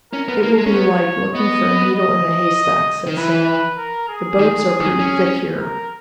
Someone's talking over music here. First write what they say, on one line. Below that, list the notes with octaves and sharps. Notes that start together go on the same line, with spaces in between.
"It will be like looking for a needle in a hay-stack," said Sam. "The boats are pretty thick here."
C#4 A#4
B3
A#3
G#3
C#4
B3 C#5
B3 D#5
D#5
D#3
E3 B4
A#4
G#4
D#3
D#3
C#4
A#4